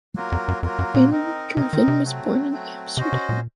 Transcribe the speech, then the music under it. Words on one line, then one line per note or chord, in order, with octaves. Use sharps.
Van Dreven was born in Amsterdam.
F#3 A#3 F4 A#4
F2
F#2
F2 F#3 A#3 F4 A#4
F#2
A#2
C4 D#4 A#4 D#5
C3 C4 D#4 A#4 D#5
D#3
C3
F#3 A3 C4
F#3 A3 C4
C3 C#4 F#4 C5 D#5
C3
A#2